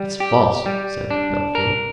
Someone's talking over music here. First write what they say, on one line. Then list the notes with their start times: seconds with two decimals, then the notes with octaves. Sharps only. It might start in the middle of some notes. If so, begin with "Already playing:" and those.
"It's false," said Bellfield.
Already playing: G3
0.20 G4
0.66 G3
1.11 D4
1.55 A#4